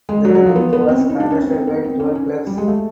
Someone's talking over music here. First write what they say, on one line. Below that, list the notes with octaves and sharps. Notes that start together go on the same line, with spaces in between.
The league was contested by twelve clubs.
G#3
F#3
F#3
F3
B3
B3
C4
C#4
D#4
D4
C#4
C4
C4
B3
C4
C#4
C#4
G3
G#3
A3